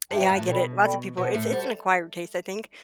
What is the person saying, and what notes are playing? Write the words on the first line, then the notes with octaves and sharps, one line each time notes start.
Yeah, I get it. Lots of people it's it's an acquired taste, I think.
G2 F#4 C5 E5 G5
F#2
G2
A2
B2 A4 D5 G5 B5
A4 D5 G5 B5
B2 F#4 C5 F#5 A5
A2
G3 F#4 C5 F#5 A5